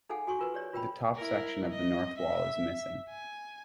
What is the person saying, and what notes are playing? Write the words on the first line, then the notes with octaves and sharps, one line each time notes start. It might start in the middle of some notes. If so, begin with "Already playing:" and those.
The top section of the north wall is missing.
D#4 G#4 A4 F5 F#5 G#5
F#4 G#5 C6 C#6
F4 A#4 B4
G4 C#5 D5
F4 A#4 G5 B5
E4 A#4
D#5
E5
G#5